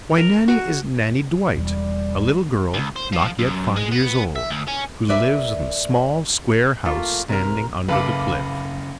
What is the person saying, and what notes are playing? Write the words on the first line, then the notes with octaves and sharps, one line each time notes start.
Why, Nannie is Nannie Dwight,--a little girl not yet five years old, who lives in the small square house standing under the cliff.
A#4
F#4
E1 G3
C#2
C5
F3
F#2
G#3
B3
E5
D2
C#4
A#4 B4 D5 E5
A3 A#3 F4
C3 A#4
F#1 A4 B4 F5 D6